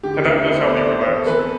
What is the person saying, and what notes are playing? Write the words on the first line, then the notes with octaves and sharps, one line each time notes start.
and that does help me relax.
D3 G4
G4
D2 E4
D4
D3 E4
C5
B3 A4
D5
C4 C5
C5
E3
A4
E3 B4
A4